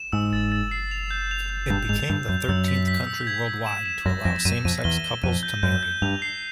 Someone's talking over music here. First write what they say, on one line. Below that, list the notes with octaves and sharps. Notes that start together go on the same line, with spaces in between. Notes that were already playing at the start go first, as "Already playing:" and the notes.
It became the thirteenth country worldwide to allow same-sex couples to marry.
Already playing: E7
G#2 E6
A6
A6
C7
F7
G6
F7
G6
G2 G6
G#2 F7
G2 G6
F#2 G6
F#2 E6
B6
B6
E6
G#6
G#6
E7
E7
F#2 A#6
F2 A#6
F#2 D#7
F2 D#7
E2 G7
G7
F2 D#7
G6
F#2 G6
G6
G2 F7
C7